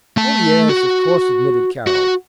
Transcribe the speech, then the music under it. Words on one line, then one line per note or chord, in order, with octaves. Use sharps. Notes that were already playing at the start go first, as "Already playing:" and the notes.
"Oh, yes, of course!" admitted Carroll.
A3 A5
F#4
F#4